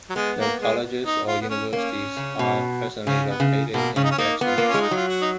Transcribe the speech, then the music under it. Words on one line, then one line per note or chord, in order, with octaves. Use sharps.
No colleges or universities are presently located in Jackson.
F#3
G#3 B3
A#3
G#3
D#4
F4
B3
C#4
A#3 C#4
C#3
B2
C#3 C#4
B3
C#3
B2 A#3
C#3 C#4
D#4
C#4
A#3 D#4
B3 F4
A#3 B3
C#4
G#3
D#4
F#3 F4
F#4
D#4